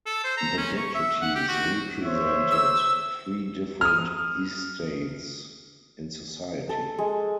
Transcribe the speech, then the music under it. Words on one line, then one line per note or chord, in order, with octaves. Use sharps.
The deputies represented three different "estates" in society.
A4
C5
A#5
C#4
C#6
E5
F#5
G4
F#4
C5 C#5 E5
E6
D#6 F6
A4
G#3